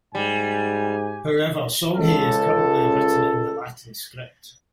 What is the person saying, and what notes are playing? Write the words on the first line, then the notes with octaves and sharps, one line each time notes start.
However, Songhay is currently written in the Latin script.
G#2 G3 G#5
C#2 A4